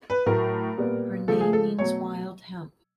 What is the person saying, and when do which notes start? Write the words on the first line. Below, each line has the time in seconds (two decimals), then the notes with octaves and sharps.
Her name means "wild hemp".
0.10 B4
0.26 A2 F#3 A3 A#4
0.77 A#2 G3 B3
1.28 C#3 F3 A3 A4
1.41 G#4
1.53 A4
1.79 B2 F#3 A3 C#5